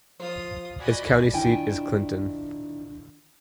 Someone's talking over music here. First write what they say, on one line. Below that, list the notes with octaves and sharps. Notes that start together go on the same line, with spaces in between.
Its county seat is Clinton.
F3 F4 C5 D#6
F4 F#4 D5 D#5 G#5 B5
D#3 D4 E4 F4 G5 G#5